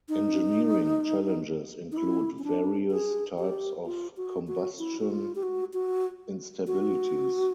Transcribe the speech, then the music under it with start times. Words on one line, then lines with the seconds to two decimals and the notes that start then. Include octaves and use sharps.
Engineering challenges include various types of combustion instabilities.
0.09 D#4
1.92 D#4
1.97 E4
2.39 C#4
2.44 D4
2.91 G#4
3.38 G4
3.85 F4
4.17 F#4
4.47 F#4
4.79 E4
5.01 F#4
5.10 F4
5.35 G4
5.43 F#4
5.73 F#4
6.67 F#4